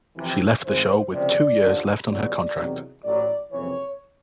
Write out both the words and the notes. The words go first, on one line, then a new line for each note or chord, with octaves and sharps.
She left the show with two years left on her contract.
F2 C3 E3
G#1 G#2 E3 C5
C#2 C3 F3 D5
D#2 D3 F3
C#2 B2 F#3 D5
E2 C3 D#3 F#3
A1 A2 F#3 D5
F#1 F2 C3 E3 C#5